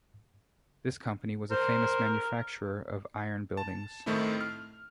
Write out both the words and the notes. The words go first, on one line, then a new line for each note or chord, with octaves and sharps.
This company was a famous manufacturer of iron buildings.
A#4 C5
A5
A2 D#3 A3 C4 D#4 E4
F6